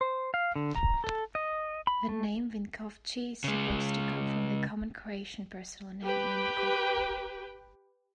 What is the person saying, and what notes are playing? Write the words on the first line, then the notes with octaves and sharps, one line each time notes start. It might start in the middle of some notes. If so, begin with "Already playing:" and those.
The name Vinkovci is supposed to come from the common Croatian personal name "Vinko".
C5
F5
D3
A#5
A4
D#5
B5
A3
C#3 G#3
G4 B4 G5